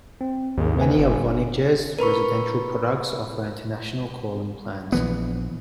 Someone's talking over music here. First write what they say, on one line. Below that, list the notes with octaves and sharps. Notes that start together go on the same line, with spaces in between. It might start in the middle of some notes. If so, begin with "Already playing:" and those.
Many of Vonage's residential products offer international calling plans.
C4
G#1 D#2 G#4
B4 G#5
G1
A#4 B4 B5 C#6
A#1 E3 B3